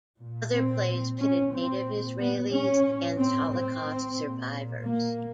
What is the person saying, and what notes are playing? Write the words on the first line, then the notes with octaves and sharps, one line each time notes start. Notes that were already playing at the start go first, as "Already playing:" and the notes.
Other plays pitted native Israelis against Holocaust survivors.
A#2
C4
C#4
A#2 C4
B3
C#4
A2
C4
C4
A#2
A#3